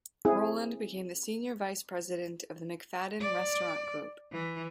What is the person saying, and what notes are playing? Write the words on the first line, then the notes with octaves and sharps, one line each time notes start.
Roland became the senior vice president of the McFaddin restaurant group.
C4 E4 G#4
D5
E3